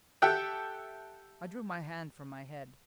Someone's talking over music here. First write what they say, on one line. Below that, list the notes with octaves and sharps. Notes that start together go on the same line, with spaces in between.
I drew my hand from my head.
G4 A4 E5 F#5 G5